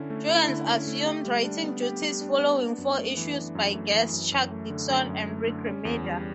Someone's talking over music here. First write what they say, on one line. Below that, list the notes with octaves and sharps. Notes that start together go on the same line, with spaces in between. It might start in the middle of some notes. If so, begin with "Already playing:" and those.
Jurgens assumed writing duties following four issues by guests Chuck Dixon and Rick Remender.
Already playing: D3 C#4 E4
A3
E4
D3
C#4
A3
G4
G3
D4
B3
G4
G3
D4
B3
D4
F#2
A3
E3
D4
F#2
A3
E3
F#2
F#2
A3
D3
F#2
F#2
A3
D3
C#4
E2
G3